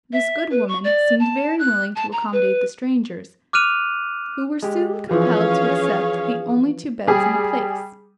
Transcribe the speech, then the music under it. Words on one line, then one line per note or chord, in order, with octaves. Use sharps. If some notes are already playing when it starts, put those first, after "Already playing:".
This good woman seemed very willing to accommodate the strangers, who were soon compelled to accept the only two beds in the place.
E5
B4
C#6
D5
A5
F#6
A5
A#5
B4
D6 F6 F#6 D#7 F7
G#3 G4
E3 F3 C#4 G#4 C#5 F5
G3 G#4